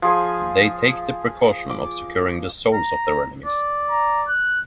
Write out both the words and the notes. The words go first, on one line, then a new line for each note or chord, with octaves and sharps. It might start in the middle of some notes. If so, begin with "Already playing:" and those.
They take the precaution of securing the souls of their enemies.
F3 G#4 G#5
D6
A#5
D5
A#5
F#6